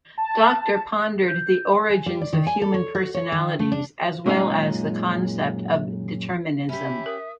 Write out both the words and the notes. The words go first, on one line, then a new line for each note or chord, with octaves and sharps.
Docter pondered the origins of human personalities as well as the concept of determinism.
A5
G6
G#5
G3
D5
D#3
G#5
A4
C#5
F#4
C#5
D#3
A3
D4
F#2 A#2 G#3 C#4 D#4 F5
C#4 G4 E5 B5
A#4 D#6